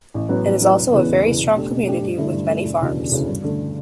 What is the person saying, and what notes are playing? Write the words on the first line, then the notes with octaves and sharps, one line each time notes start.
It is also a very strong community with many farms.
A1
A2 F#3 B3
A1
A2 F#3 B3
E1
E2 C#3 E3 B3
E1
E2 C#3 E3 B3
B2
A3 D4 G4
B2
A3 D4 G4
G2
D3 A3 E4
G2
D3 A3 E4
E1
D2 C#3 E3
E1
D2 C#3 E3
G2
D3 A3